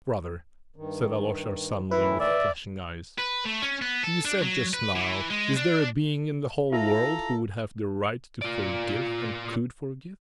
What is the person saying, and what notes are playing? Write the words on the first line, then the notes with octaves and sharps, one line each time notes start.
Brother," said Alyosha suddenly, with flashing eyes, "you said just now, is there a being in the whole world who would have the right to forgive and could forgive?
G2 D#3
A2 D#3 E3 E4 B4
D5 E5
B4
A3
C#4
B3
A4
D4
F#3
B4
E3
G#3
D4
E4 F4 A4 A#5
F4 D5